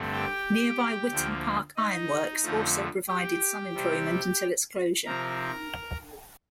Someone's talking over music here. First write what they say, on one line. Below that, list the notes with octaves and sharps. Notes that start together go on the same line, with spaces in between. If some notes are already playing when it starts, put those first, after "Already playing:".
Nearby Witton Park Ironworks also provided some employment until its closure.
Already playing: G2 D3 A3 C4
G4 G5
D2 D3 F3 A#3
D#4 D#5
F2 D3 F3 A3
G4 G5
C3 G3 C4
C3 F3 C4 A#4 A#5